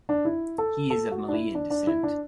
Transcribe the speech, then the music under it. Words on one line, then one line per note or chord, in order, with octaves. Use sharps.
He is of Malian descent.
D4
E4
A4
A4
F#4
D4
E4
D4
D4
E4
D4